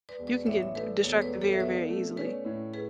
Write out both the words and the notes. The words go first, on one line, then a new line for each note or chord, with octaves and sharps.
you can get d distracted very, very easily.
B4 D5
E1
B4 D5
A1 C#5 E5
E5
A3 B4 D5
E1 A4 C#5
B4 D5
E1
A4 C#5
E5
B2 B4 D5
A3
C#4 B4 D5
A2
G#4 B4